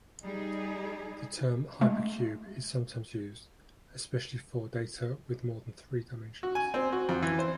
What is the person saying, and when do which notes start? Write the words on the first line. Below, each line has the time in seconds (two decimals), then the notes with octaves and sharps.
The term hypercube is sometimes used, especially for data with more than three dimensions.
0.22 G3 D#4 G#4
1.81 G#3 A3
6.43 F#4
6.55 G#5
6.74 C4
6.92 F#4
7.09 F2
7.22 E3
7.39 C5